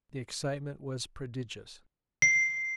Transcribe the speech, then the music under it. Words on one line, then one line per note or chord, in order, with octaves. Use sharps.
The excitement was prodigious.
C7